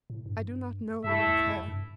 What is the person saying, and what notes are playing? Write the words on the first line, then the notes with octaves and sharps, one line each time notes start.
I do not know, nor care.
A2
G2
G2 A3 E4 A4 E5
E2
F#2
G2